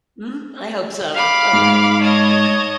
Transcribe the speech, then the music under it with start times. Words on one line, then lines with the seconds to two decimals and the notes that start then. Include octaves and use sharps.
Mm, I hope so. Bye-bye.
1.14 F5 B5 D6
1.53 G#2
2.02 C#5 D#5 A5